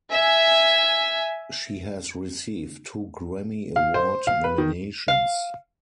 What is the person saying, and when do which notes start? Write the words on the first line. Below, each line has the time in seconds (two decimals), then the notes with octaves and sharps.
She has received two Grammy Award nominations.
0.10 E5 G#5
3.76 F5
3.94 C5
4.27 F5
4.44 B4
4.58 D#3
5.08 F5